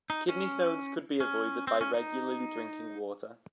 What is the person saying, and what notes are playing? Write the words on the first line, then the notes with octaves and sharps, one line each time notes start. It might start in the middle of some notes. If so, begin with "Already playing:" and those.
Kidney stones could be avoided by regularly drinking water.
D#4
C#4
C#4
C4
C#4
D#4